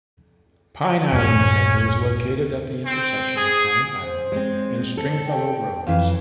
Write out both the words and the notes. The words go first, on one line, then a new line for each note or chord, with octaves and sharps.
Pine Island Center is located at the intersection of Pine Island and Stringfellow Roads.
D#1 G2 A#2 C#4
C4
G#4
C5
G#3 C4
A4
G5
F2 E3 F5